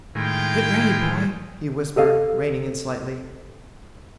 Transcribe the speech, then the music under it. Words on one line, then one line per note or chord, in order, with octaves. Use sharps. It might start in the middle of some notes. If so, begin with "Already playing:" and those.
"Get ready, boy," he whispered, reining in slightly.
A2 D#3 G#3 E4 F4 G5
G4 A4 D#5 F5